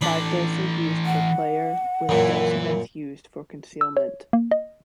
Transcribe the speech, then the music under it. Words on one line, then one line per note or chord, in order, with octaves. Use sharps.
Five dice are used per player with dice cups used for concealment.
E3 D4 A4 B5
F#5
F#2 A#2 E3
E6
C#5
A#3
D#5